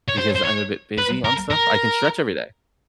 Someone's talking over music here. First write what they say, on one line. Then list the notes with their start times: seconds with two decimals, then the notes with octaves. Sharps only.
because I'm a bit busy and stuff. I can stretch every day,
0.09 C#5
0.18 C5
0.36 C5
0.45 C#5
0.98 B4
1.25 A#4
1.51 A#4